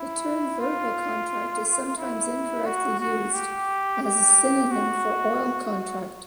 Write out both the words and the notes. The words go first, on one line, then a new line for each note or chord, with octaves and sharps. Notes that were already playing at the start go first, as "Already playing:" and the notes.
The term "verbal contract" is sometimes incorrectly used as a synonym for oral contract.
Already playing: E4
F4
E4
F#4
F#4
G4
G4
F#4